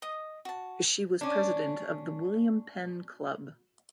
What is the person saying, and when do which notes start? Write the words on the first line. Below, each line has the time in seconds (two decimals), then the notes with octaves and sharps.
She was president of the William Penn Club.
0.02 D#5 D#6
0.45 F#4 A5
1.21 C#4 D4